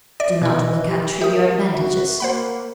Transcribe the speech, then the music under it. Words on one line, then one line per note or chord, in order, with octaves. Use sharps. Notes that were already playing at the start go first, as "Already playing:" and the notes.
Do not look at trivial advantages.
D5 E5
B2 E4 D#5
G4
F#4 G4 A#4 E5 D#6
F#4 E5
A#3 C5 F#5 B5